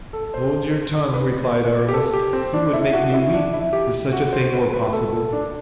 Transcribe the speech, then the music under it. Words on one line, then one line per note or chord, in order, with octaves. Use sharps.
"Hold your tongue," replied Aramis; "you would make me weep, if such a thing were possible."
A4
C5
B4
G4
A4
G4
C4
D4
E4
F#4
E4
D4
E4
G4
F#4
C5
B4
B4
A4
A4
D4